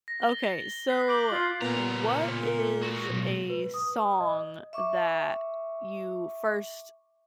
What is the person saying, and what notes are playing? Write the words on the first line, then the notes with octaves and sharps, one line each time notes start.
Okay. So, what is a song that you first
A#6
A6 G7
F#6 B6 C7
D6 G6 D7 F#7
F4
C#2 A#2 B3 A#5
E3 F#4
B2 F#3 G#3
B4
D#6
D#5
E5 C#6 D6